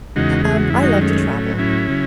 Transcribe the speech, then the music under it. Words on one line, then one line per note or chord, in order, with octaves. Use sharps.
Um, I love to travel.
E2 C#3 G#3 D#4 F#4
G#4
F#4
F#2 D#3 G#3 E4
D#4 F#4
A3 C#4
A2 F#3
C#4 E4
C#3 F#3